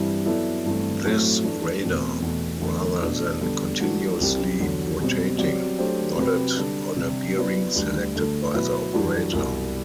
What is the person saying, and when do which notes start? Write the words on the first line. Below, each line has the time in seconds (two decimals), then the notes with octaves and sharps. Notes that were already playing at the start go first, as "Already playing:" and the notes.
This radar, rather than continuously rotating, nodded on a bearing selected by the operator.
Already playing: G2 E3 G3 C4 E4
0.25 F#3 B3 E4 A4 D5
0.65 G2 E3 A3 C4
1.04 A2 F#3 A3 C4 E4
1.44 E3 A3 D4
1.83 E2 B2 A3 C4
2.22 E2 B2 A3
2.62 E2 D3 A3
3.02 B2 A3 D4 A4
3.41 D3 G3 B3 D4
3.80 E3 A3 D4 F#4
4.20 C2 C3 G3 C4 G4
4.60 E2 D3 F#3
5.00 B2 G3 C4
5.38 F#3 C4 G4 D5
5.78 F#3 A3 D4 G4 C5
6.18 C3 F#3 C4 G4 B4
6.56 D3 G3 D4
6.96 C3 G3 D4
7.35 F#3 B3 E4 B4 D5
7.76 D2 D3 G3
8.16 D2 D3 A3
8.54 B2 F#3 B3 E4 B4
8.93 F#2 E3 G3 D4 F#4
9.33 C2 B2 G3